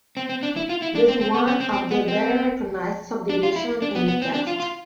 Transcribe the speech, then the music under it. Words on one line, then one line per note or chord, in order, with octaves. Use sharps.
This is one of the better-recognized subdivisions in the text.
C4
C4
D4
E4
F4
E4
D4
C4
C4
B3
B3
C4
C4
B3
C4
D4
F4
E4
D4
B3
B3
C4
D4
F4
F4